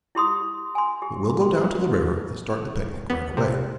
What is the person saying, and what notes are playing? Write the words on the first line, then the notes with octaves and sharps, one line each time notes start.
But we'll go down to the river and start the picnic right away.
E4 G4 C6 D#6
G#5 C6
G4
C6
B3
C3